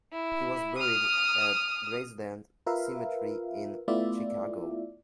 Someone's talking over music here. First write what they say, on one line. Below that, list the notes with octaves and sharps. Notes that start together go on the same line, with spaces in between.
He was buried at Graceland Cemetery in Chicago.
E4
D#6 F6
F4 A#4 B4 E5 F5
A3 B3 E4 F4 D5 E5